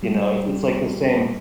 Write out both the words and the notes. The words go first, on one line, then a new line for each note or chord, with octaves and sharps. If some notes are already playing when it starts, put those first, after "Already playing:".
you know? It's it's like the same
G3